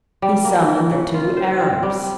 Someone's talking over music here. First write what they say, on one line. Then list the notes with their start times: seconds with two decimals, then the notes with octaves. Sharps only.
He summoned the two Arabs.
0.22 G3
0.45 A#3
0.68 E3
0.91 C#3
1.14 F4
1.37 C5
1.60 C4
1.83 G3